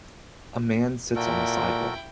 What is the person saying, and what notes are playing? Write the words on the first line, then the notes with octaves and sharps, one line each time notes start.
A man sits on a sidewalk.
A#2 E4 F#4 A4 A#4 G5